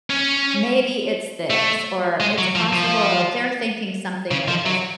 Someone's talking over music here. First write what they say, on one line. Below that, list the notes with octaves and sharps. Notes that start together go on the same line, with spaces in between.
maybe it's this, or, it's possible they're thinking something like this,"
C#4
A3
G#3
F#3
F3
F3
C#3
F3
F#3